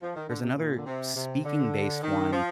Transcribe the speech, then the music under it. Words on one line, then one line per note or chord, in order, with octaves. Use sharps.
There's another speaking-based one,
F3
D#3
D3
C3
A#2
D3
C3
C3
D3
D#3
F3